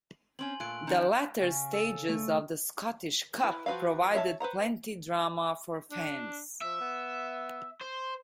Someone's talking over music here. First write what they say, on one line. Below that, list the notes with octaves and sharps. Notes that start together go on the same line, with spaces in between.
The latter stages of the Scottish Cup provided plenty drama for fans.
C4 C#4 G#5 C6 F#7
A#2 A3 F4 C6 F#6 D7
D#3 C#4 D#4 A#5 G6
C#3
A4
A3
E4 B4
F3 F#4 B4 E5 F5
C#5 E5 G5 A5
B4 C5 F#5 A#5
D4
F3 E5
B3
C5